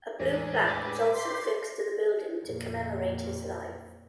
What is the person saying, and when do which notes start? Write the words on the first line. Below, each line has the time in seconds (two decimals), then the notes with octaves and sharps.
A blue plaque was also fixed to the building to commemorate his life.
0.19 E2 A2 G#3 D4 A#4
0.67 B4 G5 B5 D6
1.14 C6
2.43 F2 A#2